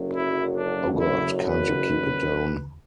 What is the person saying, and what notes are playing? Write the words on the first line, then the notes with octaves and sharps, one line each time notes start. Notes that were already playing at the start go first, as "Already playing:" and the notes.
Oh God, can't you keep it down?...
Already playing: F#1 F#2 D3 F#3
E4
D4
E4
B4